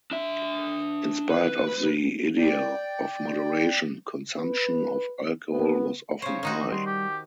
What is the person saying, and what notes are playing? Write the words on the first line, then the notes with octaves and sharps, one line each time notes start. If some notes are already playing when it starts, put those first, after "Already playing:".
In spite of the ideal of moderation, consumption of alcohol was often high.
D4 E5
B4
D5 G5
B4
B3
C#3 C5 C#5
D#3 D#4 F#4
G3 C6
G4